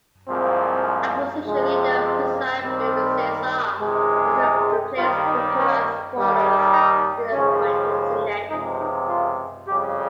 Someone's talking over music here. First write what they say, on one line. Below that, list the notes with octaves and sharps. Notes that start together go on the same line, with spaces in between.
Opposition Leader Persad-Bissessar also replaced Dookeran's supporters in the appointed Senate.
C2 A#2 F3 G#3 C4
F2 C3 F3 G#3
C4
A#3
D#2 D#3 G3 C4
C#2 C3 D#3 G#3
D#4
G4
D#2 D#3 G3 F4
D#4
C#4
D#2 D#3 G3
D#4
D#2 C#3 F3 G#3 C#4
C#2 C3 F3 G#3 D#4
D#4
F4
F2 C#3 G3 G4